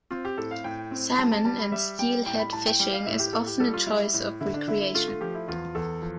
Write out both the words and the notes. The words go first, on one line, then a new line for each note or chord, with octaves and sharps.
Salmon and steelhead fishing is often a choice of recreation.
C4 F4
G4
A2 A4
F5
A2 G5
C4
G3 A5
A5
G3 A5
B5
G3 E5
G3 G5
A2 G5
B5
A2 A5
G5
G3 G5
F5
A2 E5
G4
A2 A4
G4
G3 A4
F4
G3 E4
A2
D3 E4
D4
D3 E4
E4
A3 F4
F4
F3 G4
E4
E2 F4
E2 A4
F3